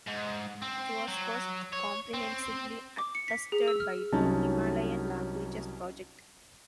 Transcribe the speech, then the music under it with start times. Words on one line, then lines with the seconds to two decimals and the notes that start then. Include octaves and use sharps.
It was first comprehensively attested by the Himalayan Languages Project.
0.07 G#2
0.62 C4
1.08 F#3
1.73 C#5
2.14 C4
2.98 D6
3.15 C#7
3.28 B6
3.52 G#4
3.68 E6
3.80 F6
4.12 C2 F#3 C#4 D#4 A5